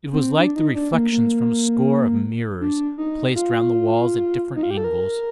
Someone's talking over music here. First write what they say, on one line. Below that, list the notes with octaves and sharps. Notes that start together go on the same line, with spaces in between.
It was like the reflections from a score of mirrors placed round the walls at different angles.
C4
D4
D#4
D4
A#3
A#3
D4
D#4
F4
D#4
F4
G4
A4
A#4